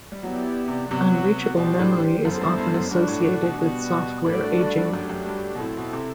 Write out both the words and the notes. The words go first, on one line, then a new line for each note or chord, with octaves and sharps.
Unreachable memory is often associated with software aging.
G3
F#3 B3 E4 G4 D5
C3
C3 F#3 B3 F#4
B2 G3 D4 G4 C5
A2
F#2 B3 E4 A4 C5
G2
G2
G2
F#2
G2 F#3 A3 D4 F#4
A2
A2
B2
B2 G3 B3 F#4
B2
A2 A3 D4 F#4 A4 D5
G2
G2
G2
F#2 F#3 A3 D4 G4
F#2
G2
B2
A2 C4 E4 A4
B2
C3